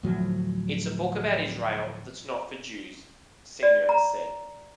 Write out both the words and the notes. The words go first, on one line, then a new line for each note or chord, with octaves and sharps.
"It's a book about Israel that's not for Jews," Senor has said.
D2 A2 F3 F#3
D5
A#5